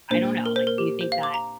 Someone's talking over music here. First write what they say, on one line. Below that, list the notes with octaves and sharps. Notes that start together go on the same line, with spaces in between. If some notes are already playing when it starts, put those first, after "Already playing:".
I don't know, like, do you think that
A#2 A#3 D4 C5
A#4
C5
A#4
G4
C5
F5
D6
A#5